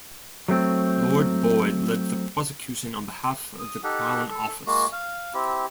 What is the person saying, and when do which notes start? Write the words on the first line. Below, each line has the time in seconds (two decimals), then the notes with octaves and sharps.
Lord Boyd led the prosecution on behalf of the Crown Office.
0.48 F#3 A3 C4
3.60 D#6
3.84 D#4 G4 A4 F#5
4.30 A4
4.67 G#3 A#3 F#4
4.92 F5
5.34 C4 E4 G4